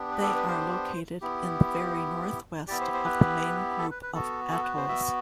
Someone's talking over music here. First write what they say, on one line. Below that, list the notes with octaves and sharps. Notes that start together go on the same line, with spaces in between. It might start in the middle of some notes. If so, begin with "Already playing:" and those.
They are located in the very northwest of the main group of atolls.
Already playing: B3 D4 G4
B4
A4
B4
C5
B3 E4 G4
B3 E4 G4 D5
C5
C5
B4
A4
B4
B4
B3 F#4 A4
A4
B4
C5
E5